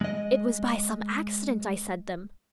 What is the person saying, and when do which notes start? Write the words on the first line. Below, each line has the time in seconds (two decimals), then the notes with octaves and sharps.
It was by some accident I said them....
0.01 G#3 D#5